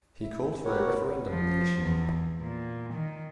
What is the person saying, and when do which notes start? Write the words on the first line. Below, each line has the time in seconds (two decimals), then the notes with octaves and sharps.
He called for a referendum on the issue.
0.21 E4
0.65 F#4 G4 A#4 B4 C#5 F#5
1.28 F3
1.79 E2
2.41 A#2
2.93 D#3